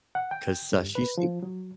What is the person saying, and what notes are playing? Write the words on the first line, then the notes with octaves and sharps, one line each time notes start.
'cause, uh, she seem
F#5
G5
G2
B4
F3
F#3